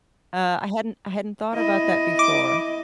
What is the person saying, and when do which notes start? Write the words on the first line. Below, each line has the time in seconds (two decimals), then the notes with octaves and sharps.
Uh, I hadn't I hadn't thought about that before.
1.55 E4 D#5
2.19 D6